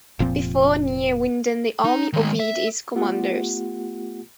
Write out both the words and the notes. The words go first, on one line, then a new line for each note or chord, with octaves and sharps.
Before Neerwinden, the army obeyed its commanders.
F1 A#2 F3 C4
D#4
D#3 G#3
E5
A3 B3 F4 G4 F#5